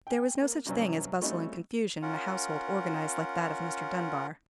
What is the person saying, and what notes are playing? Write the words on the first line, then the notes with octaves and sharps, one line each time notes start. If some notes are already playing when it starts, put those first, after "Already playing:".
There was no such thing as bustle and confusion in a household organized like that of Mr. Dunbar.
G5 G#5
A#3
G2 C3 F#3 B3 C#4 D4
G3 A3 C4 C#4 D#4 F#4
C#4 F4 A#4 F#5